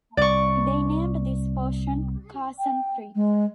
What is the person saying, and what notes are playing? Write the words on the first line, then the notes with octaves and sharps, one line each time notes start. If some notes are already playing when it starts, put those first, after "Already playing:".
They named this portion Carson Creek.
C2 D5 C#6
G5
G#3